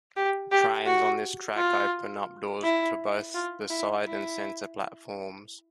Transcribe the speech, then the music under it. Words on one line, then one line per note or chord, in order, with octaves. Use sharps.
Trains on this track open up doors to both the side and center platforms.
G4
G4
F#4
F4
E4
F4
E4
E4